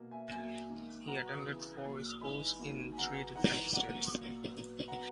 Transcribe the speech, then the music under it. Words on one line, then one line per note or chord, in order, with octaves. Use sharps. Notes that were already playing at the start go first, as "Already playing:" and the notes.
He attended four schools in three different states.
Already playing: B2 A#3
E5 G#5
A#2 F#3 A#3 E5 G#5
G#2 D#3 A#3
B2 F#3 B3 F#5 A#5
C#3 E3 B3
A#2 F#3 A#3
G#2 E3 G#3 B3 G#5 B5
G#2 D#3 F#3 A#3
G#5
C#3 F#3 B3 F#5 A#5
G#2 E3 B3 F#5 A#5
B2 A#3 F#5 A#5
A#2 F#3 A#3
A#2 F#3 B3
F#3 B3 F#5 A#5